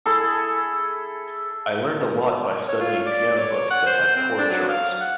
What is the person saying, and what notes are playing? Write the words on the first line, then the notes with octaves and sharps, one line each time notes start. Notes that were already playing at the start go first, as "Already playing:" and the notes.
I learned a lot by studying piano books that had chord charts.
E4 G#4 A4
C#5
F4
D5
C#5
F#5
C5
C4
D4
F#3
F5
F#5